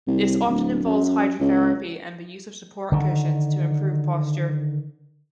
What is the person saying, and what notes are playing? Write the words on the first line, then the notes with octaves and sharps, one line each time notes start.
This often involves hydrotherapy and the use of support cushions to improve posture.
C2
D1
F#2
C#2
D3 D#3